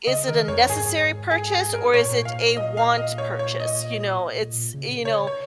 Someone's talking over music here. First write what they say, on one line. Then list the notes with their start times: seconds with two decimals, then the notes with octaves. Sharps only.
is it a necessary purchase, or is it a want purchase, you know, it's, you know
0.07 C#3 D#5
0.28 D#3 A#4
0.48 F2 C#5
0.69 G#2 G#4
1.31 G#4
1.52 G#4
1.73 A#4
1.94 A#2 C#5
2.25 F5
2.57 D#5
2.77 F5
2.97 D#5
3.18 C#5
3.39 C#5
3.60 D#5
4.42 A#2
4.74 C#3
5.05 C#5
5.27 C#5